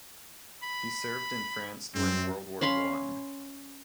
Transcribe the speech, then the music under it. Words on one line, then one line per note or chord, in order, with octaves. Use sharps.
He served in France during World War One.
B5
F#2 C4
C#4 F5 B5 C6